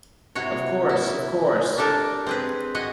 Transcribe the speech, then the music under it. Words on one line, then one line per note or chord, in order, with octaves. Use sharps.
Of course, of course!
C3 E4 F#4 C#5
E4
D4 G4 A4 A#4
C4 G#4 B4
F#4 D#5 F#5 G#5